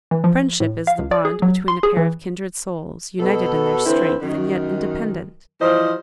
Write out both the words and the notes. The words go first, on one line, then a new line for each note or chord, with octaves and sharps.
Friendship is the bond between a pair of kindred souls, united in their strength, and yet independent.
E3
F3
A2
F5
C#2
D5
G#4
F#3
C6
G#4
E3
B2 A4
D3 E3 C4 E4
F#2 D#3
E3 F3 G3 C5 D#5